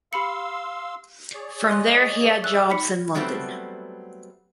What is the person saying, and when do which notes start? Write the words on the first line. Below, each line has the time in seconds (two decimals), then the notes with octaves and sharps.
From there he had jobs in London.
0.13 G4 F5 B5 C6 E6 C#7
1.33 G#4 C#5 D5
1.69 D#5 G#5 C6 F#6
2.44 E5 F#6
2.70 D#4 B5 B6 C#7
3.15 F#3 G3 A3 B3 C4